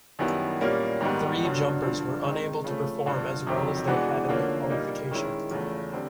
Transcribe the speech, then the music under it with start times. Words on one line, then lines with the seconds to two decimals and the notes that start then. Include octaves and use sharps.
Three jumpers were unable to perform as well as they had in the qualification.
0.19 F#2 D#3 G3 B3 E4
0.60 A#2 G3 A#3 C#4
1.00 G#2 D#3 G3 B3
1.42 G2 D3 F#3
1.82 G2 D3 F3
2.24 D#3 G#3 C4 D#4
2.64 C#3 F3 A3
3.06 G2 D3 F3
3.47 F2 C3 D#3 F#3
3.88 E3 G#3 B3 D4 F#4
4.29 D3 F3 A#3 C#4
4.70 A#2 G3 A#3 D#4
5.11 D#3 G#3 C#4 E4
5.51 E2 C#3 F3 A3
5.92 D3 G3 C4